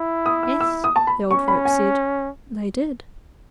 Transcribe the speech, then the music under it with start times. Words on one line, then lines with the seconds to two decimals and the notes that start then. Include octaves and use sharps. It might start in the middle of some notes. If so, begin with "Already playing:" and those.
Yes, the old folk said, they did.
Already playing: E4
0.26 D#6
0.43 E6
0.61 E6
0.84 D#6
0.96 A5
1.07 B5
1.31 C#4 C#6
1.48 B5
1.65 G#5